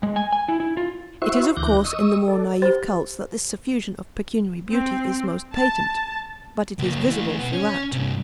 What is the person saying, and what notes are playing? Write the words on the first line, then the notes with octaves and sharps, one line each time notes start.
It is of course in the more naive cults that this suffusion of pecuniary beauty is most patent, but it is visible throughout.
G#3
G#5
G#5
E4
E4
F4
E4 F#4 C5 E5 C#6
D2 E3 D6 F#6 G6 A#6
D#5 C#6 D#6 E6
A4 D5
G4 C5
C4
A5
C#2 A#3
E3 A3
B2 B3
C#4
G2 C3